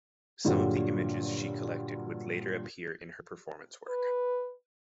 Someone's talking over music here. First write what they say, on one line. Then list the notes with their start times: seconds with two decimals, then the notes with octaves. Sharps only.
Some of the images she collected would later appear in her performance work.
0.45 G2 A#2 D3 F#3 G3
3.89 B4